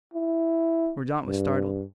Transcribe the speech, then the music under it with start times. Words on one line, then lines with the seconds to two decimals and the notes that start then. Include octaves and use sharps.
Mordaunt was startled.
0.14 E4
1.26 G2